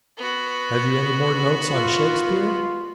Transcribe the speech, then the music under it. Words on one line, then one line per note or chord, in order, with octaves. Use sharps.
Have you any more notes on Shakspeare?
B3 F#4
F4